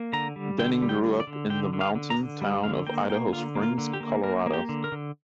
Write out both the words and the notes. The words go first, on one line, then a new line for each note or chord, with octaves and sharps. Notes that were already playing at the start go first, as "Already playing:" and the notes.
Denning grew up in the mountain town of Idaho Springs, Colorado.
Already playing: A#3
D3 A#5
G3
D3 G5
G3
G5
D3
D5
D3
D3 G5
D3
F5
D3
A#5
D3
G3
D3 F5
A#3 G5
A#3 G5
D3 F4
A#3
F4
D3
G4
A#3
A#3 A#4
A#3
G4
D3
A#4
D3